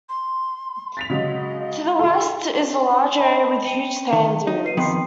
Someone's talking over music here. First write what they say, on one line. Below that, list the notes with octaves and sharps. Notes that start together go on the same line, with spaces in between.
To the west is a large area with huge sand dunes.
C6
A6 B6 F7
C#3 F#3 G#3 D#5
F4 A4 C6
D#5 A5 B5
G5 C#7 D#7
D#3
D#4
B4 C7 D#7
F2 D#3 B3 G5 C6 C7